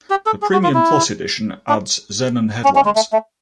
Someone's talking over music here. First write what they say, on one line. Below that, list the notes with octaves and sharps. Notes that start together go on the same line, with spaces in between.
The Premium Plus edition adds xenon headlamps.
G4
A4
G#4
F#4
F4
E4
D4
C#4
C#4
G#3
A3
A3